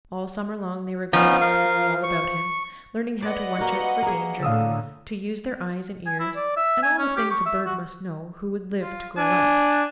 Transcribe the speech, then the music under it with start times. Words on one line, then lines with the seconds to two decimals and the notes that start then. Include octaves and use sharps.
All summer long they were going to school all about him, learning how to watch out for danger, to use their eyes and ears, and all the things a bird must know who would live to grow up.
1.13 F3 B3 C#4 D#4
1.41 A#4 F5
2.04 C#6
3.22 B4 D5 D#5 F#5
3.58 A#3 F#4
4.03 A#3 G#4
4.43 A2 D3 F5 D#6 E6
6.06 G#5
6.20 E4
6.36 D5
6.56 E5
6.83 G#5
6.99 C#4
7.17 G4
7.31 C#6
7.46 E5
7.66 F#4
8.82 F4
9.18 D4 G#5